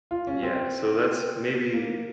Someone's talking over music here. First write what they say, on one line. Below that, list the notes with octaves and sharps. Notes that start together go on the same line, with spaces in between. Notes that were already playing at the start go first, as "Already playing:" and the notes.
yeah, so that's maybe
F4
C#4
C4
A#3